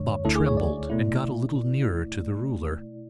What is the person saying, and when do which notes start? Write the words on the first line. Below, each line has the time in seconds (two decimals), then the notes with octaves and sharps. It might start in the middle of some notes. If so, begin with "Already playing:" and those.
Bob trembled, and got a little nearer to the ruler.
Already playing: F#2 D3 G#3 D4 C#5
0.25 D2 D3 A3 E4 A4
0.35 G#4
0.46 C#5
0.57 D5
0.90 B2 A3 E4